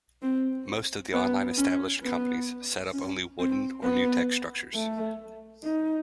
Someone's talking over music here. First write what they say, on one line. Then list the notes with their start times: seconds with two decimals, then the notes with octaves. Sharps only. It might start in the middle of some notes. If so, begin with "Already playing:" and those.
Most of the online established companies set up only wooden or nutec structures.
0.22 C4
1.14 B3
1.58 C#4
2.03 B3
2.93 C#4
3.39 C4
3.83 B3
4.74 A3
5.64 D#4